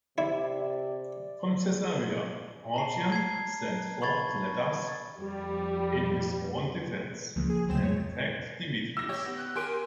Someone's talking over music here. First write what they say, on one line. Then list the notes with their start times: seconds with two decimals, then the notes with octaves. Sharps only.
From Caesarea Origen sent forth letters in his own defence, and attacked Demetrius.
0.18 C3 E4 D5
2.74 A5 A#5 C7
3.12 G#6 C7
4.02 B5 C#6 G#6 A6
5.17 F2 G3
7.36 C#2 F3 A#3
7.49 G#4
7.68 D2 C#3 F#3 C4 E7
7.82 F2 G#3 C#5
8.97 E6 A#6
9.09 G4 C#5
9.25 B3
9.37 F#6
9.55 G4 A#4 G#5 C6 D7